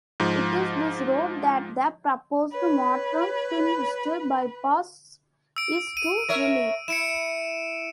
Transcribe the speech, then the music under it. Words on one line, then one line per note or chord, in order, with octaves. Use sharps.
It is this road that the proposed Mottram-Tintwistle Bypass is to relieve.
G#2 F3
B4 C#5 B5
E6 D7
D#7
A#4 C#5 E5
E4 C#7 D7 E7